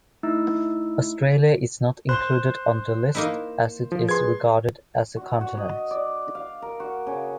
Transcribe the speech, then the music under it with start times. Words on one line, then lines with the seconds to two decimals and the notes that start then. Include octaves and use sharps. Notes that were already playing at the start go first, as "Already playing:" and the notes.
Australia is not included on the list as it is regarded as a continent.
0.23 A3 D#4 E4 E6
2.09 C5 C6 F#6 G7
3.15 A#3 D#4 E4
3.92 F3
4.09 G#4 B4 C6 G#6
5.17 F#4
5.41 F#4
5.58 D#5
5.91 D5
6.35 F5
6.62 A#4
6.80 F#4
7.07 C#3